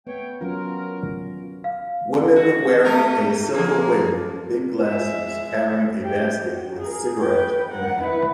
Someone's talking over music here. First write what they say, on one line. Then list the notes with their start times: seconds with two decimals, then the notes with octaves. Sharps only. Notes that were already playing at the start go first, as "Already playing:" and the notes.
Women wearing a silver wig big glasses carrying a basket with cigarette in hand.
0.07 A3 B3 C#5 G5
0.41 F#3 C#4 F4 A#4
1.64 F5
2.36 F#4
2.85 A3 G4 A#4
3.54 F3 A#3
4.81 G#3 E5
6.03 G4 G5
6.42 F#4
6.80 G#4 A#4
7.22 B4 G5
7.70 A#4 F#5
8.00 E4 B4